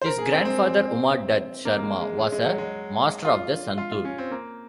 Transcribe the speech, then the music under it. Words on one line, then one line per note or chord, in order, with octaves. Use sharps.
His grandfather, Uma Dutt Sharma, was a master of the santoor.
C5
A#4
G#4
C4
C4
A#3
A#3
G#3
G#3
G#3
G#3
F#3
G#3
F4
F4
F4
C#4
C4
A#3